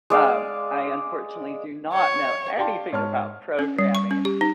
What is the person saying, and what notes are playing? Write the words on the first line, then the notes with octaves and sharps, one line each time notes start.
um, I unfortunately do not know anything about programming,
G#3 D5 F5
C#5
G4 D5 F5 G5 A5 C6
G#2 C#5 A5 F6
C#4
G3
C#6
C#4
G4
D#4